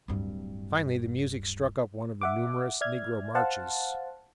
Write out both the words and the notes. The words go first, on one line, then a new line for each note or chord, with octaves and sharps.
Finally the music struck up one of the numerous negro marches.
D1 G2
E5 F#5 D6
D5 E5 F6 G#6
C5 F5 F#5 A5